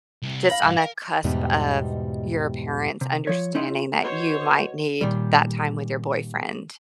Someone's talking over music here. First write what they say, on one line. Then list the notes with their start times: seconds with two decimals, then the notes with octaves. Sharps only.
just on the cusp of your parents understanding that you might need that time with your boyfriend.
0.22 C2 C3
0.49 F5 B5 A#6
0.62 C2 G2
0.76 A#4
1.24 E2 G#2 B2 G3 D#4
3.01 C3
3.27 F3 C#5
3.55 C#4 D#4 E4 D#5 F#5 C6
3.68 F4
4.02 B2 C5 C#5
5.01 A#2 D#3 G3